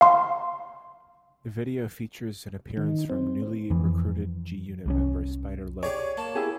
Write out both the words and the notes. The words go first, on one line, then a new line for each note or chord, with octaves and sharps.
The video features an appearance from newly recruited G-Unit member Spider Loc.
F5 C6
D#3
C4
F2 E3
C2 G3 C#4
G4 G#4 C#5 D5
A#3 A5
E4 G4 G#4